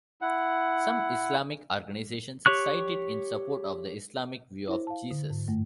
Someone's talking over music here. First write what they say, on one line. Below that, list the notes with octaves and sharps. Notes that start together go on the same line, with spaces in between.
Some Islamic organizations cite it in support of the Islamic view of Jesus.
E4 F#5
G4 C#5 C#6 F#6
E4 C5
F5 A5
D3
G#2
G2 A3